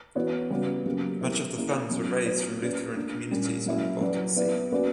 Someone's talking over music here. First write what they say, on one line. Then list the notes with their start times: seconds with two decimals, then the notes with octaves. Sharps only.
Much of the funds were raised from Lutheran communities on the Baltic Sea.
0.15 E3 B3 F#4 C#5
0.50 C#3 G3 B3 F#4
0.86 C#3 F#3 A#3 C#4 G4
1.21 B3 E4 A#4
1.56 A#3 C#4 E4 G4 A#4
1.90 B2 F#3 C#4
2.26 B3 F#4 C#5
2.61 A#3 C#4 G4 B4 D5
2.96 A#3 D4 A#4
3.31 A#2 G3 A#3 C#4
3.66 F#3 A#3 C#4 E4
4.01 F#3 C#4 F#4 B4 D5
4.36 B3 E4 B4 D5
4.71 A#3 C#4 F#4 B4 D5